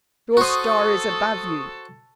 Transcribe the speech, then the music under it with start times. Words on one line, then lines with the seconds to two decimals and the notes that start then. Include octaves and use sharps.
Your star is above you.
0.37 F#4 A4 C5 C#6 D#6